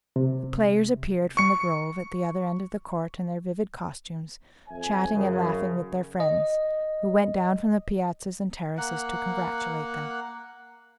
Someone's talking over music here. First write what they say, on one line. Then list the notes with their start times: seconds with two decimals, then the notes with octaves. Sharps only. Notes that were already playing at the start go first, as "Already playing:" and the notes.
The players appeared from the grove at the other end of the court in their vivid costumes, chatting and laughing with their friends, who went down from the piazzas and terraces to congratulate them.
0.16 C3
1.37 C#6 C#7
4.68 F2 E5 G#5
5.13 F#2 C#3
6.20 D#5
8.78 A#3 F#5